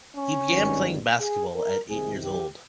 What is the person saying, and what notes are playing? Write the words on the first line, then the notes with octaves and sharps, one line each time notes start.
He began playing basketball at eight years old.
C#4
G#1 G2 D#3
G#4
A#4
C2 C3 D#3 G#4
G4